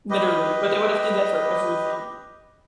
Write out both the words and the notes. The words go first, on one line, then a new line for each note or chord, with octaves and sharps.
Literally, but they would have did that for everything.
G4 B4 D#5